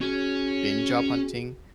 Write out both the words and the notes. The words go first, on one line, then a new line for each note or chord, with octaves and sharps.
been job hunting,
C#4 F#4 G#4